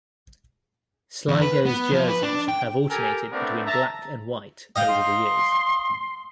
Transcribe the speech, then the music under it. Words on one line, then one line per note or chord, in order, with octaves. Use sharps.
Sligo's jerseys have alternated between black and white over the years.
E2
B4
B3
F3
B4
D4
G5
G4 A4 A#4 G#5
A3 B3 C4 D4 A#4 D5
E5 A5 A#5
D#5 F5 G5
C6